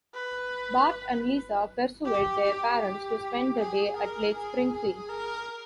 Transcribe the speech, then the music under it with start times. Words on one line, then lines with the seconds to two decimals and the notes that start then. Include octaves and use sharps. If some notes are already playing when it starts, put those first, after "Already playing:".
Bart and Lisa persuade their parents to spend the day at Lake Springfield.
0.14 B4
2.05 G4
2.43 G4
2.81 G4
3.58 G#4
3.96 A#4
4.34 G#4
4.73 G#4
5.09 A#4